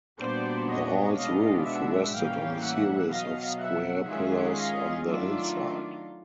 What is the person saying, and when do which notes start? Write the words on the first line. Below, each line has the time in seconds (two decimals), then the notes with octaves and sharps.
The hall's roof rested on a series of square pillars on the hillside.
0.20 A#2 G3 B3 D4 F#4 C5 D5
0.69 C#5 D#5
1.17 B2 G#3 B3 D4 D#5 F5
1.66 E5 F#5
2.14 A2 E3 G3 A#3 C#4 F5 G5
2.63 E5 F#5
3.11 B2 F#3 B3 D#5 F5
3.60 E5 F#5
4.08 D#3 G#3 C#4 F4 G#4 E5 F#5
4.57 D#5 F5
5.05 D#3 F#3 A3 D4 F4 D5 E5